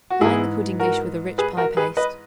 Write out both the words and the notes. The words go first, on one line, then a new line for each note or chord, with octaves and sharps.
Line the pudding-dish with a rich pie-paste.
F#4
G#2 E3 E4 G#4
F#4 A#4
G#4 B4
F#4 A#4
G#4 B4
B4 D#5